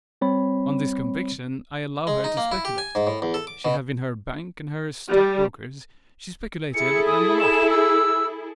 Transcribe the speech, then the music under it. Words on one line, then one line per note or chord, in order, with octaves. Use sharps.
On this conviction I allow her to speculate, she having her bank and her stockbroker; she speculated and lost.
G3 C4 C#5 B5
G#3
D#4
A#3
E4
G4
G#5
G#2
A2
E2
A4
D6
B2
G3
E4 G#4 A4 C#7
D#6
E7
E6